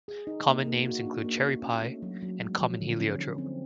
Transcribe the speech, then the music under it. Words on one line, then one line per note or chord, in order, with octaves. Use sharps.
Common names include "cherry pie" and "common heliotrope".
G#4
D#4
A#3
A#3
F#4
D4
A#3
A#3
C#4
A3
F#3
F#3
G#3
F3
D3
C#4
D#4
C4